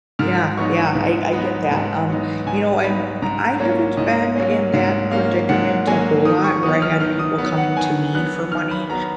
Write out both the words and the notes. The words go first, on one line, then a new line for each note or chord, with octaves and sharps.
Yeah, yeah, I I get that, um, you know, and I haven't been in that predicament a whole lot where I had people coming to me for money.
G#2 F6
F#3 B3 D#4 C#6
G#2
F#3 B3 D#4 B5
G#2
F#3 B3 D#4
G#2 G#5
F#3 B3 D#4 B5
G#2 A#5
F#3 A#3 C#4 C#5
G#2 D#5
F#3 A#3 C#4
G#2 F5
F#3 A#3 C#4 F5
G#2 F#5
F#3 A#3 C#4 G#5
D#3 D#6
C#6
F#3 B3 D#6
F6
D#3 F6
D#6
F#3 B3
F#5
D#3 G#5
F#3 B3 F#6
D#3 F6
B5
F#3 B3 A#5